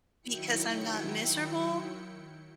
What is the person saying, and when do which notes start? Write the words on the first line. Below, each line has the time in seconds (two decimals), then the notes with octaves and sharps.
because I'm not miserable
0.22 D#3 F#3 E4 G5 C#7